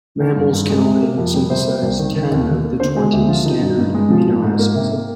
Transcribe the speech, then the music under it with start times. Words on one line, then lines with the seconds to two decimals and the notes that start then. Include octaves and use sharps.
Mammals can only synthesize ten of the twenty standard amino acids.
0.20 D#3 A#4
0.36 G2
0.53 G2
0.69 G#3
0.86 C3
1.02 A#3
1.18 F2
1.34 G3
1.50 C3 C5
1.67 A#3
1.83 C2
1.99 D#3
2.16 D#3
2.32 D#2
2.48 D#2
2.64 A#3
2.80 D3 C5
2.96 G#3 G#4
3.13 D2 G4
3.28 F3 F4
3.45 D#3 D#4
3.62 G2
3.78 G2
3.94 G#3
4.10 F3
4.27 G#2
4.42 G#2
4.59 A#3
4.75 C3
4.92 A#3